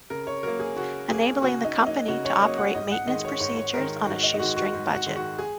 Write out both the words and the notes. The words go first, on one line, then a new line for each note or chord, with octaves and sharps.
Enabling the company to operate maintenance procedures on a 'shoe string' budget.
C#3 A#4
C#5
F#3 A#3 A#4
G#4
C#3 F#4
F#3 A#3 G#4
C#3 F#4
D#4
F#3 A#3
D#4
C#3 F#4
C#5
F#3 A#3 D#5
F#5
G#2 D#5
F#5
D#3 G#3 D#5
C#5
G#2 C#5
C#5
D#3 G#3 A#4
G#2 F#4
D#4
D#4
D#3 G#3 F#4
F#4
G#2
F#4
D#3 G#3
F#4
G#4